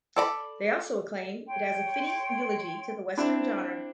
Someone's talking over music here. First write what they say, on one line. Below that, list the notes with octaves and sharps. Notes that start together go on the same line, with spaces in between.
They also acclaimed it as a fitting eulogy to the western genre.
A4 D5 A#5 B5
C#5 G5 C6
C4 D4 E4 D5 E5